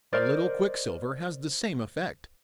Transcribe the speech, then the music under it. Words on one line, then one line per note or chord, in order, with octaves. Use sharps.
A little quicksilver has the same effect.
A#4 C5 D5 D#5